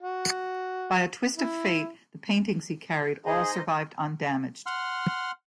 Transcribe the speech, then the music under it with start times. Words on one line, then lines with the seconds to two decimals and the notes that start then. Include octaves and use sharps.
By a twist of fate, the paintings he carried all survived undamaged.
0.01 F#4
1.36 E4
3.26 D#4 G#4 C5 D#5
4.66 F#5 C6 F6